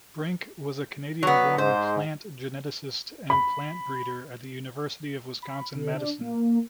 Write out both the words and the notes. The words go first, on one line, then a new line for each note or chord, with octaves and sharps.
Brink, was a Canadian-born plant geneticist and plant breeder at the University of Wisconsin-Madison.
F#3 B3
G#2 C5
B5
B5
D3
D4
A#3